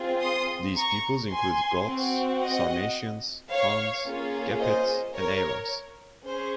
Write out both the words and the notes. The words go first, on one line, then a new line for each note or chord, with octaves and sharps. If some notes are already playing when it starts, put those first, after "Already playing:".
These peoples included Goths, Sarmatians, Huns, Gepids and Avars.
Already playing: C4 F4 G#4
C6 D#6
A#5 C#6
G#5 C6
C4 F#4
D#5 F#5
C#5 F5
A#3 C#4 F4 G#4
C5 D#5
A#4 C#5
C#4 G#4 C5